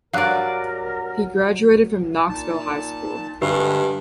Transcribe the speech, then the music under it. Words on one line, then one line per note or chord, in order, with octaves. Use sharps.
He graduated from Knoxville High School.
G2 F#3 A#4 D5 F5 G#5 F#6
A#2 D#4 A5
D2 G2 D3 G#3 G4 B4